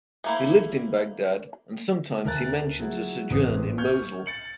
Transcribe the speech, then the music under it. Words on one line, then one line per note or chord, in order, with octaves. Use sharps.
He lived in Baghdad and sometimes he mentions a sojourn in Mosul.
A3 A#3 E4
D2 A#4 A5 F#6 A6
F#3 E4 G#4
A1 E3 C4 D#6
C#6 F6 G6 G#6
A6 C#7 F#7